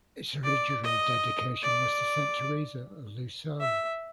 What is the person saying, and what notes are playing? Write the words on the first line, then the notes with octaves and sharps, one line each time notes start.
Its original dedication was to Saint Theresa of Lisieux.
D5
D#5
D5
E5